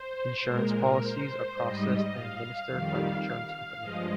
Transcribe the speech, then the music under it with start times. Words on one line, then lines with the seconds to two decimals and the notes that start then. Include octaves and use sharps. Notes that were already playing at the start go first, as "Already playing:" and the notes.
Insurance policies are processed and administered by the insurance company.
Already playing: C5
0.42 A#2 G#3 A#4
0.71 A#4
0.98 C5
1.55 G#2 G3 D#5
2.11 F5
2.68 F2 D#3 G3
3.80 G2 F3 G#3 D#5